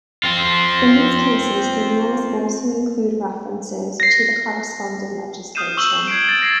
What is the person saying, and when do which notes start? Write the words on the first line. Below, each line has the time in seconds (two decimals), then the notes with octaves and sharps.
In these cases, the rules also include references to the corresponding legislation.
0.24 C4 F4
4.00 A#6 C7
5.55 D#6 F6 G6 C7 D#7 E7
5.77 C#6 D#6 E6 E7 F#7 G7
6.08 G#6 C7 D7
6.29 A6
6.41 G#6 A#6 C7 D7